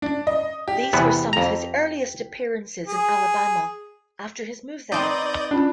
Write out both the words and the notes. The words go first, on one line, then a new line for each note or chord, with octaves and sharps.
These were some of his earliest appearances in Alabama after his move there.
D4
D#5
G4
E2 C3 B3
F2 A#5
G#4
B3 C4 D#4 D5 D#5 G6
C#4 D4 F4